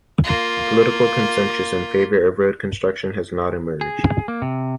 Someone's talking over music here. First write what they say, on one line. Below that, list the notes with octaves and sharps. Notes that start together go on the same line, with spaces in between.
Political consensus in favor of road construction has not emerged.
A#3 F4
G#4
A#3
C3